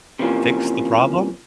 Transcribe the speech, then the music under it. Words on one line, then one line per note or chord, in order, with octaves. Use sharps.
Fix the problem?
C3 E3 F3 A#3 C#4